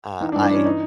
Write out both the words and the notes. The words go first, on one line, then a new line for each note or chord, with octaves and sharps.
uh, I
E3 D#4
D4
G2
D4
E3 C#4
D#4